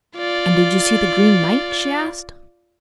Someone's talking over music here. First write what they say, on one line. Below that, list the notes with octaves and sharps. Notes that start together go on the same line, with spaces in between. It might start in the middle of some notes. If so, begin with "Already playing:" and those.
'And did you see the Green Knight?' she asked.
F4 D5